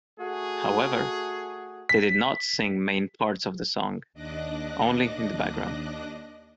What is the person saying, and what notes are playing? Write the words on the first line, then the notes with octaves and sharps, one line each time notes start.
However, they did not sing main parts of the song, only in the background.
A3 F#4 G#4
B6
D#2 D4 D#5 D6 F#6 A#6